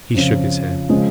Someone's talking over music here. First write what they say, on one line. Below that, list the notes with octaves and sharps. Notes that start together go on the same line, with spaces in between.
He shook his head.
F2 C#3 F3
C#3 F3 G#3